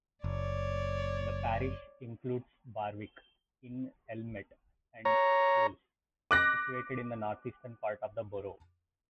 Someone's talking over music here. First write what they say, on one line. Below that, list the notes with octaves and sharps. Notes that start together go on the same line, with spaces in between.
The parish includes Barwick-in-Elmet and Scholes, situated in the north-eastern part of the borough.
F#1 C#5 D5
C#5 A#5
D6 F#6 A#6